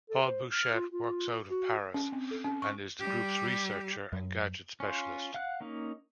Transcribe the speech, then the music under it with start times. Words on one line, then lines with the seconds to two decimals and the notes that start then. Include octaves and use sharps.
Paul Buchet works out of Paris, and is the group's researcher and gadget specialist.
0.10 A4
0.21 C5
0.52 F6
0.74 F4
0.92 F4
1.50 F#4
1.94 C#4
2.12 C4
2.31 A4
2.44 C#4
2.62 C#6
2.99 G3 G4
4.13 F#2
4.80 C#4 F4
5.34 F5 F#5 F#6
5.61 A#3 C#4 D#4